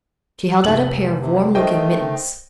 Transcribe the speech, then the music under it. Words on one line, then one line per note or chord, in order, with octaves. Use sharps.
She held out a pair of warm-looking mittens.
F1 A2 F#7
C3
D#3 A3 C5 D#5 G5